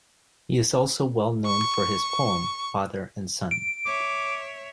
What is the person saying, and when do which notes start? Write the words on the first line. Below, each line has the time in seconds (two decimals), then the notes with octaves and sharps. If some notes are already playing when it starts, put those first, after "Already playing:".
He is also well known for his poem, Father and Son.
1.46 C#6
3.51 D7
3.86 C#5 E5 D6